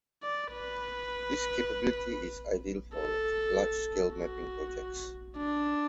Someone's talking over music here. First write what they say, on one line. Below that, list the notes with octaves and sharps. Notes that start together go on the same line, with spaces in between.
This capability is ideal for large-scale mapping projects.
D5
B4
A4
F#4
D4